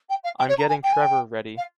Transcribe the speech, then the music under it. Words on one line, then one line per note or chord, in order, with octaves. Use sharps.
I’m getting Trevor ready!
G5
F5
G5
C#5
A#5
G#5
G5
G#5
G5
F5